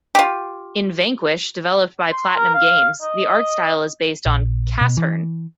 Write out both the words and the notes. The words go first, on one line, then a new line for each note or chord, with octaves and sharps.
In "Vanquish", developed by PlatinumGames, the art style is based on "Casshern".
F4 G4
C6
A#4
F5
D#5
A#1
B2
E3